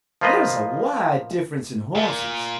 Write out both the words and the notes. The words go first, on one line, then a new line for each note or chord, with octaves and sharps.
There is a wide difference in horses.
F3 A#3 F4 B4 D#5
A#2